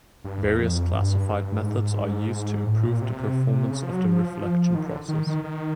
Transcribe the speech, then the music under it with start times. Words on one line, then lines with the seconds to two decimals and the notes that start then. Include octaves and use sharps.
Various classified methods are used to improve the performance of the reflection process.
0.24 G2
0.42 E2
0.60 F2
0.94 G2
1.62 G#2
2.67 A2
2.84 A#2
3.02 C3
3.71 C#3
3.83 F3
3.93 F#3
4.05 F3
4.75 D#3
4.86 D3
5.08 D#3
5.27 D#3
5.44 D#3